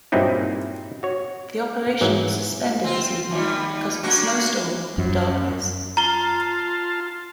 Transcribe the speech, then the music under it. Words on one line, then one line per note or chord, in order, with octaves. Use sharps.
The operation was suspended this evening because of a snowstorm and darkness.
G2 A#2 F#3 C4 D#4 E4
F#4 C#5
G#2 E3 F#3
C4 F4
D#2 G3
A#3 D4 F#4
F#2
F4 A5 A#5 G7